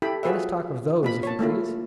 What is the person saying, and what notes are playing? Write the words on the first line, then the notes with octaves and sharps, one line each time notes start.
Let us talk of those, if you please.
E4 G4 A4 G5 B5
F4 F#4 G#4 B4 C#5 E5
A#3 F4 B5
C#5 A5
A3 A#3 E4 F4